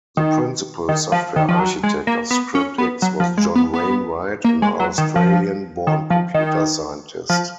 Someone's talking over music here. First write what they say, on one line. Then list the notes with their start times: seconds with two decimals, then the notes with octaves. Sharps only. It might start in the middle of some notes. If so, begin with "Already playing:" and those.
The principal software architect of ScriptX was John Wainwright, an Australian-born computer scientist.
0.17 D#3
0.89 D#3
1.12 F3
1.36 D#3
1.48 F3
1.60 F#3
1.83 G#3
2.07 A#3
2.31 B3
2.55 C#4
2.78 B3
3.02 F#3
3.20 F3
3.37 G#3
3.55 B3
3.73 B3
4.44 A#3
4.62 G#3
4.80 F#3
4.98 D#3
5.16 F3
5.87 D#3
6.10 F3
6.34 D#3
7.29 F3